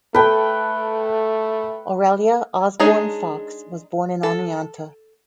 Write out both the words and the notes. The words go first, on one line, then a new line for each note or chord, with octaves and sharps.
Aurelia Osborn Fox was born in Oneonta.
A3 A4 B4 G5
G#3 D4 D#4 G#4 C#5
A4